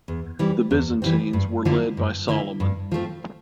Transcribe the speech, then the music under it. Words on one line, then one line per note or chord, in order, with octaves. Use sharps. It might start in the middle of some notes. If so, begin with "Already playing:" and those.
The Byzantines were led by Solomon.
E2
E3 G3 C4
E2
E3 G3 C4
G2
D3 F3 A#3 E4
G2
D3 F3 A#3 E4
G2
F3 A3 C4